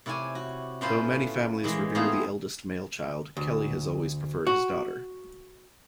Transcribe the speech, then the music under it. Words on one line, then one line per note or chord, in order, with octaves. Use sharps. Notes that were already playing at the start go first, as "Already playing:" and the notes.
Though many families revere the eldest male child, Kelly has always preferred his daughter.
C3 E4 C#5 D5 G#5
F#4
A2 C#4 E4 F4 B4 C5
A#2 E3 G#3
A3 B3 C4 D#4 F4 G#4
D2
F#4